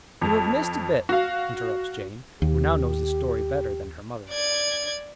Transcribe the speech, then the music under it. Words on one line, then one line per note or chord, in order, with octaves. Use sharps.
"You have missed a bit," interrupts Jane, who now knows the story better than her mother.
F2
F#4 F5
D#2 G4
D5 G#6